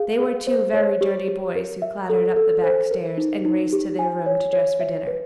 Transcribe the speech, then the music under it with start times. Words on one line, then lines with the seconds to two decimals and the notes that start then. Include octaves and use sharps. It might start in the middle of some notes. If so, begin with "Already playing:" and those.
They were two very dirty boys who clattered up the back stairs, and raced to their room to dress for dinner.
Already playing: G#4 F5
0.20 G#4
0.47 C5
0.74 C#5
1.01 G4
1.28 G4
1.56 A#4
1.82 E5
2.10 A4
2.36 A4
2.64 C5
2.91 A#4
3.18 D#4
3.45 D#4
3.73 G4
3.99 G#5
4.26 C#5
4.53 C#5
4.80 E5
5.07 B4